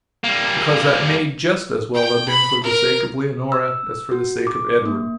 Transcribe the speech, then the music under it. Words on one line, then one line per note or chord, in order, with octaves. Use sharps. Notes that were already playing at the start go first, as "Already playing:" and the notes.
Because that may just as well have been for the sake of Leonora as for the sake of Edward.
G3 A#3
G5
B5
A#4
E6
F#4
D6
A#3